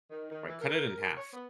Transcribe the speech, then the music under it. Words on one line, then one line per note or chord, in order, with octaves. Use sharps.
right? Cut it in half.
D#3
D#3
E3
A#4
C#5
B3